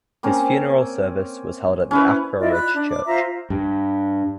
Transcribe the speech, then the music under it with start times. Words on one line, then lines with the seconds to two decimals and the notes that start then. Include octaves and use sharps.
His funeral service was held at the Accra Ridge Church.
0.23 A#3 C4 C#4
1.91 C#4 E4 B4
2.40 E4 F4 D5 D#5
2.52 B5 F#6
2.74 D4
2.89 D6
3.06 F4 C5 E5 A#5
3.50 G2